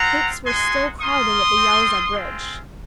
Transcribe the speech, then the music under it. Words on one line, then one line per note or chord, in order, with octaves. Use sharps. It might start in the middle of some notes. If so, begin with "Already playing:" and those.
Troops were still crowding at the Yauza bridge.
Already playing: C4 F4 F#5 A#5
G#3 D#4 F#4 G#5 C6
A#3 F4 C6 D#6
C4 F4
G#3 C4 F4